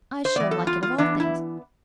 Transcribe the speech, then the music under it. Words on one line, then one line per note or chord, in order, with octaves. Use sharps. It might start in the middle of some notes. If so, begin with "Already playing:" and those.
I shall like it of all things.
C5
E3 B3 D5
A4
F4
F4
E3 B3 D4
E4